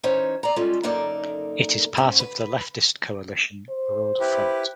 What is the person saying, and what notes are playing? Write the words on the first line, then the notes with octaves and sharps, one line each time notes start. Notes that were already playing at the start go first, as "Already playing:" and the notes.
It is part of the leftist coalition Broad Front.
E3 C#4 D#4 C5 C#5
D5 A#5
G3 G#3 C#4 F4 A4
F#2 A#3 D#4 A4 A#4 D5
D#2 G#2 C#4
B4
C5
E4 G4 B4